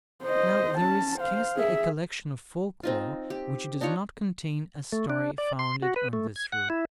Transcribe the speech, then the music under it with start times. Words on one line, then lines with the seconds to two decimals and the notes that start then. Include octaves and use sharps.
Now, there is scarcely a collection of folk-lore which does not contain a story founded on this root.
0.24 C5 D#5
0.78 C#4 A5
1.19 C5 F5
1.56 G#4 E5
2.83 C4 D#4 F4
3.30 G4
3.81 D4 D#4 F4 C#5
4.92 A3
5.10 D4
5.38 D5
5.59 C6
5.83 F#4
5.96 B4
6.13 A3
6.36 G#6
6.52 F#5
6.70 E4